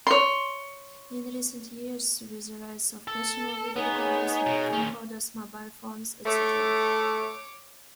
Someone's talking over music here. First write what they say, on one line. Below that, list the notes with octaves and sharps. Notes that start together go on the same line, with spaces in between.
In recent years with the rise of personal video recorders like camcorders, mobile phones,etc.
C#5 C6
A4
B3 D#4 G#4 C#5
B2
D#3 C#4
A3 C#5 D6